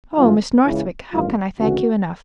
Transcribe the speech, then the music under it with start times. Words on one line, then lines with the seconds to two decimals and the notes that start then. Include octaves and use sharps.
Oh, Miss Northwick, how can I thank you enough?
0.16 G#1 G2 E3 F4
0.64 C#2 C#3 E3
1.12 A1 G2 D#3 F4
1.59 D2 C#3 E3 F#4